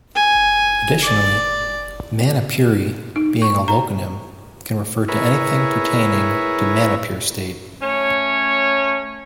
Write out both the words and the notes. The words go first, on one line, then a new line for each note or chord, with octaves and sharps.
Additionally, "Manipuri," being a loconym, can refer to anything pertaining to Manipur state.
G#5
D5
D#4
C#6
A#5
E4 G#4 A#4 B4 C#5
A3 C#4 C#5